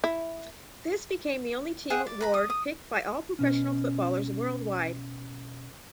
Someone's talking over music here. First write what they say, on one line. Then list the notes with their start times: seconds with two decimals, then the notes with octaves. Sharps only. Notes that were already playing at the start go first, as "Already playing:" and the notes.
This became the only team award picked by all professional footballers worldwide.
0.04 E4
1.90 G#4 E5 F#5 G5
2.07 D5
2.21 B4 A#5 B5
2.34 D#6
2.50 D#6
3.39 B2 C#4